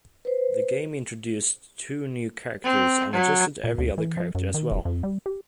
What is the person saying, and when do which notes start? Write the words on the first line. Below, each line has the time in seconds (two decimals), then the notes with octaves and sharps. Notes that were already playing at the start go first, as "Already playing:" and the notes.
The game introduced two new characters and adjusted every other character as well.
0.25 B4 C5
2.64 C4
3.13 F#3
3.64 A#2
3.78 D2
3.98 E3
4.17 F3
4.35 F#2
4.54 D#3
4.71 E1
4.85 F2
5.03 G3
5.26 G4